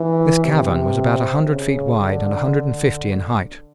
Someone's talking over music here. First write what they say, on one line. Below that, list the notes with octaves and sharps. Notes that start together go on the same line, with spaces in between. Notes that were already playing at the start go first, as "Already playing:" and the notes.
This cavern was about a hundred feet wide and a hundred and fifty in height.
Already playing: E3
C3
C#3
D3